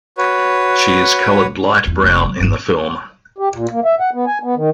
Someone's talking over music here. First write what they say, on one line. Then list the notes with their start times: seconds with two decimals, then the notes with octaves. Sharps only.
She is colored light brown in the film.
0.18 F#4 B4 C#5
1.87 E2
2.03 F1 A#3
2.23 F#3
2.40 G1
3.38 G4
3.54 A#2
3.72 A#3
3.85 E5
4.00 F#5
4.14 B3
4.27 G#5
4.43 B3
4.56 D#3